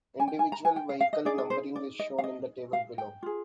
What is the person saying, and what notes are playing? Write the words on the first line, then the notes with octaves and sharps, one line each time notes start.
Individual vehicle numbering is shown in the table below.
G#5
G5
G#5
A#5
G#5
G5
F5
F5
D#5
D#4 G#4 D5
D5
C5
D5
D#5
F5
D#5
F5
G5
F4 G#4